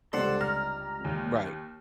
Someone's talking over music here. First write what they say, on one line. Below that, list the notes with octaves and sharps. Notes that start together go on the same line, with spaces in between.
Mm, right.
C#2 C3 G3 D4 A4 C5 F#5
A#5 F6
D#2